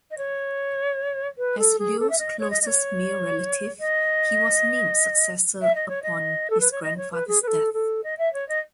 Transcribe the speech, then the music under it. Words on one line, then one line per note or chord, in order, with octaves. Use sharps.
As Leo's closest male relative, he was named successor upon his grandfather's death.
D#5
C#5
B4
A4
G#4
A4
E5
D#5
C#5
D#5
D#5
C#5
D#5
E5
D#5
C#5
D#5
A4
B4
C#5
D#5
C#5
B4
G#4
B4
A4
A4
D#5
E5
C#5
D#5